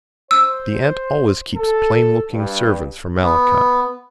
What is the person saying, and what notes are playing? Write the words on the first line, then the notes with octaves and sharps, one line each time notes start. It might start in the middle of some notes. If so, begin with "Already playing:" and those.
The aunt always keeps plainlooking servants for Malachi.
C5 E6
A4
G2
B3